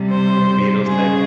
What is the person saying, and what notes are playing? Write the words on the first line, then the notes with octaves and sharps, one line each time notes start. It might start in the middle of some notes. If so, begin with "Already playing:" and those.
Oh, the Beatles thing?
Already playing: C3 G3
C5
C#3 G3 G#4